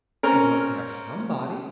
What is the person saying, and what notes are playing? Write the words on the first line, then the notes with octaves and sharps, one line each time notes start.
"We must have somebody!"
C4 C#4 A#4